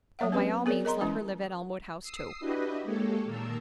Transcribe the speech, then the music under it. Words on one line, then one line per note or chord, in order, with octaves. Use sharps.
Oh, by all means let her live at Elmwood House too.
F#3 A#3 C#5 E5 F#5
C4 C#4 G4 B4
B3 G#4 A#4 C#5 D5
A#4 D#5 A#5 C6
E3 G#3 C#4 E4
D#6 E6 C7
D4 E4 F#4 G4 B4 D#5
G#3 A#3 G4 A4 C#5
A#2 D#3 A#3 A#4 A5 E6